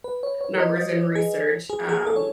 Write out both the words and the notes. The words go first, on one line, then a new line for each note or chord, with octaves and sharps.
numbers and research, um,
B4
C#5
C#5
D#5
D#5
G#4
G#4
G#4
A4
C#5